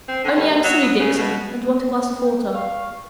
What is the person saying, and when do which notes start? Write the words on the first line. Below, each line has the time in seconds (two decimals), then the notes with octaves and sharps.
Only I'm silly, Dixon, and want a glass of water.
0.08 C4
0.24 D3
0.36 G2
0.50 D#2
0.64 F#3
0.82 B3
0.99 C#3
1.17 B2
2.22 G5
2.54 F5 C#6